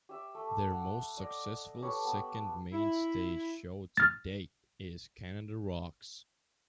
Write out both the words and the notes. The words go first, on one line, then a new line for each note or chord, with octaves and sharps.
Their most successful second mainstage show to date is Canada Rocks.
G4 E5
A3
F#5
D5 D#5
G4 A4 B4 C#5
B3 G5 A5 D6
E4
F6 A6